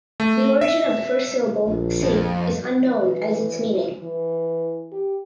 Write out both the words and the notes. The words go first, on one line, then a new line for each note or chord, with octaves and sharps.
The origin of the first syllable "si" is unknown as is its meaning.
A3
E5
A#1
F2
E3
E3
G4